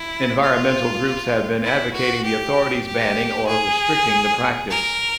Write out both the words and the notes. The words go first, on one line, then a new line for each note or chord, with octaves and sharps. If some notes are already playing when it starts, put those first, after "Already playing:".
Environmental groups have been advocating the authorities' banning or restricting the practice.
Already playing: E4
F4
E4
F#4
G4
G4
G#4
A#4